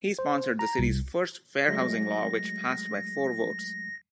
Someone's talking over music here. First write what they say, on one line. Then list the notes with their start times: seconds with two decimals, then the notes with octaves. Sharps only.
He sponsored the city's first fair housing law, which passed by four votes.
0.19 C5
0.59 A#5
0.79 C2
1.68 F#3 G#3 A3 A#6